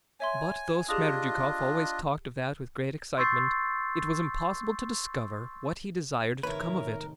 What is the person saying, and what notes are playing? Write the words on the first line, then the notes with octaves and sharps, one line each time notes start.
But though Smerdyakov always talked of that with great excitement, it was impossible to discover what he desired to come of it.
C#5 E5 G#5 C6
D4 F4 G4 G#4 D#5 D#6
C6 C#6 E6 G6 A6 C7
A2 C3 D#3 E4 A#4 B4 C#5